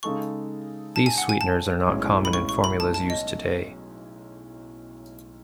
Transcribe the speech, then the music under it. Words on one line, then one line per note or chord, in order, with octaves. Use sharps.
These sweeteners are not common in formulas used today.
C#3 G#3 D#4 A4 C#6
A5
G#5
F#5
G#5
A5
B1 A2 G#3 C#4
B5
C#6
C#6
B5
A5
A5
D#5